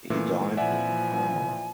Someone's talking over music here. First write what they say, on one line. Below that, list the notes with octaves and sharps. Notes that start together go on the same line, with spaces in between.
He died in Parma.
A#2 E3 A3
A#2 E3 F3 D5 E5 F#5 G#5